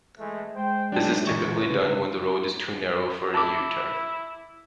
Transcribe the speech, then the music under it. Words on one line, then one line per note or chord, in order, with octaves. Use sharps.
This is typically done when the road is too narrow for a U-turn.
E3 G#3 A3
G#3 C5 G5
F#2 F#3 D4 D#4 G5 A5
G1 A#2 E3 C#6
C#3 C#4 B4
E4 A5 D6